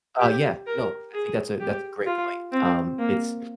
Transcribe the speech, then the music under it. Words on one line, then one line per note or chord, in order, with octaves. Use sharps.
Uh, yeah, no, I think that's a that's a great point, um, it's
G4
A#4
G#4
G4
F4
C4
A#3